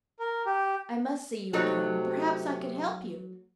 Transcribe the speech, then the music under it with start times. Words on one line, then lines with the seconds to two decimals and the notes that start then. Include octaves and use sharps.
I must see you again; and perhaps I could help you.
0.20 A#4
0.46 G4
1.53 C3 F#3 A3 D#4